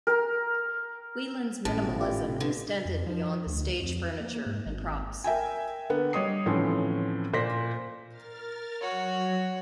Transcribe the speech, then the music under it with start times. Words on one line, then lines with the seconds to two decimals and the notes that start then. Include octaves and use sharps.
Wieland's minimalism extended beyond the stage furniture and props.
0.07 A#4
1.65 G#1 A2 C#4 A5
1.85 B2
2.00 F4 G4 D5
2.28 C3
2.40 E2 D3
2.85 F2
3.07 F3
3.46 D2
3.80 F2
4.20 A#3
4.46 G#2
4.66 G#1
5.24 A#4 E5 G5 G#5
5.90 D3 A#3 B3
6.13 G3 C#5 D#5 D#6 C7
6.46 A2 D3 E3 F3 C4 C#4
7.33 A#2 C5 D5 A#6 B6
8.09 A#4 F6 A6
8.81 F#3 F#4 C#5